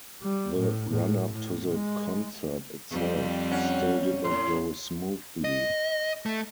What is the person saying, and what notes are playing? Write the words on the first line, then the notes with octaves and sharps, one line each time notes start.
The run-up to the concert itself still did not go smoothly.
G3
A2
A2
A2
G#3
F2 G3 C4
C#4 F#5
A2 C6
D#5
A3